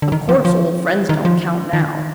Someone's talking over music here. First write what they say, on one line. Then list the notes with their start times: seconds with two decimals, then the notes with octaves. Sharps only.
Of course old friends don't count now.
0.02 D3
0.12 D#3
0.29 F3
0.45 F3
1.09 D#3
1.25 F3
1.73 D#3